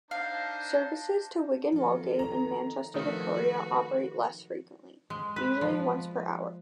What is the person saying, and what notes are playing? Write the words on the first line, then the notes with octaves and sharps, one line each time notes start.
Services to Wigan Wallgate and Manchester Victoria operate less frequently, usually once per hour.
D4 D#4 C5 F5 A5
D#3 F3 A4
A#5
D#3 F3 A3 F#4 B4 C5
G#3
B4
F3